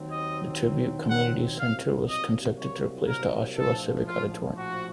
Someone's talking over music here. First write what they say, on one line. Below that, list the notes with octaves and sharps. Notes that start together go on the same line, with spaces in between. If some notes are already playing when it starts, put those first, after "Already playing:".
The Tribute Communities Centre was constructed to replace the Oshawa Civic Auditorium.
Already playing: D#2 D#3 F#3 C4
D#5
F#5
C2 C3 F#3 A#3 F5
D#5
C#5
A#4
A#1 A2 F3 A4
F4
F#4